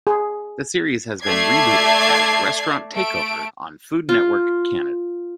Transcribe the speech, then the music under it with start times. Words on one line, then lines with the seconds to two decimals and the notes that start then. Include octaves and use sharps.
The series has been rebooted as "Restaurant Takeover" on Food Network Canada.
0.07 G#4
1.24 A3 D5 G#6 C7
2.95 A3 D7
4.09 F4